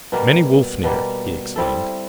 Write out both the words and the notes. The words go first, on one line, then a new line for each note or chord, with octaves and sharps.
"Many wolf near," he exclaimed.
B2 G3 A#3
B2 G3 A#3
G3 C4 E4 A4